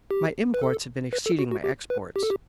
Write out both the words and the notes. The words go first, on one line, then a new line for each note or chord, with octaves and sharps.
My imports have been exceeding my exports.
G4
B4
A4
B4
A4
F#4
F#4
G4
B4
G4
A4
G4